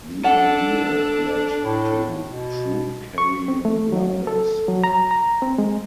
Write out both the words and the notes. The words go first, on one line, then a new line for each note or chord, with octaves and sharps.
The idea led to troop-carrying gliders.
D4 A4 F#5
A2
B2
C#6
C4
A3
F#3
A4
F#3
A#5
A#5
C4
G#3